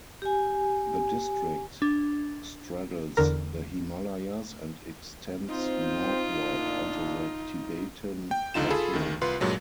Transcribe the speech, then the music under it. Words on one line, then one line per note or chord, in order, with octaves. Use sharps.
The district straddles the Himalayas and extends northward onto the Tibetan plateau.
G4 G#5
D4
E2 D3 A#4
C4 D#4 F4 C5
D2 A#2 D4
G5
C#2 D3 D#4 F4 E7
F4 G#4 A4 B5
D2 D#3
C2 F4 B4 C6
G2 A#2 F#3 G#3